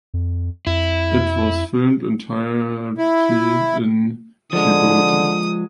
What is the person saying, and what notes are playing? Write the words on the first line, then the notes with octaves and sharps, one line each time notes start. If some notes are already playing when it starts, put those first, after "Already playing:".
It was filmed entirety in Djibouti.
F2
F2 E4
E4
D3 F3 G#3 D#6